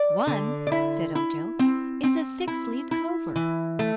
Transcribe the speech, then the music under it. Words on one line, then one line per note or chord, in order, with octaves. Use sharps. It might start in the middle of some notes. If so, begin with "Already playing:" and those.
"One," said Ojo, "is a six-leaved clover."
Already playing: D5
D3
D5
E4 E5
E4
C4
C4
E4
E4
E3
A3